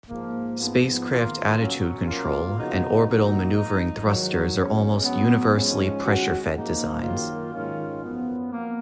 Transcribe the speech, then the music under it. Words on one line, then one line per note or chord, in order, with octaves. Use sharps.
Spacecraft attitude control and orbital maneuvering thrusters are almost universally pressure-fed designs.
G#2 F3 A#3
G#2 F3 B3
D#3 A#3 F4
B2 F#3 C#4
B2 A#3 F4
C#3 F3 B3 D#4 F#4
A#2 F#3 A#3 D#4 F#4
F3 G#3 D#4
G#2 D#3 F#3
B2 G#3 C#4
G#2 F#3 B3
G#2 F3 G#3 C#4
D#3 G#3 C#4 F#4
G#2 F3 A#3 D#4
F#2 D#3 F#3 A#3 F4
G#2 D#3 G#3 C#4 F4
F#2 F3 B3
A#3